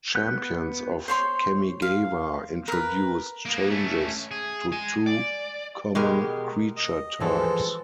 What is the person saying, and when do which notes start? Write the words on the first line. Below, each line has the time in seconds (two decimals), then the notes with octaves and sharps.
"Champions of Kamigawa" introduced changes to two common creature types.
0.15 B3 F#6 G6
1.08 C5 C#5 C6
1.82 F5
2.68 A#4 B4
3.45 A#3 B3
3.70 A3 C#4
4.31 G#4
4.72 G#3 G#5
5.06 D5
5.95 B2 G#3 G4 A#4
6.77 D#5
7.20 E3 F3 G#3 F#4 A4